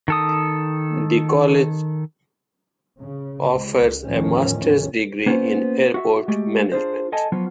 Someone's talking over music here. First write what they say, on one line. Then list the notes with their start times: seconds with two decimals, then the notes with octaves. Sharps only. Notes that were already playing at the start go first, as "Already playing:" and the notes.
The college offers a master's degree in Airport Management.
0.08 D#3 A4 D#6
2.99 C#3
3.53 C#2
4.03 E2 A2 D#3 F3 C#4
5.26 A#3 B3 C#4 D4 F4 C5
5.94 F#4 E5
6.28 G#3 A3 F#4 G4
6.72 D4 F4 G#4 C5
7.12 A4 D#5 G#5 A5
7.32 F3 F#3 B3 F4